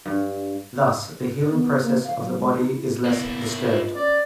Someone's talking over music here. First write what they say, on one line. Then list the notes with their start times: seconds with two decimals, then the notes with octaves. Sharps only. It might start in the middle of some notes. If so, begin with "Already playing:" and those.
Thus, the healing process of the body is less disturbed.
0.06 G2
1.50 B3
1.79 A#3
2.03 F5
2.20 F#3
2.37 G#3
2.57 D#4
2.68 E4
3.06 A#3 B3 E4
3.65 F4 B4 D#5
3.95 C#4 D5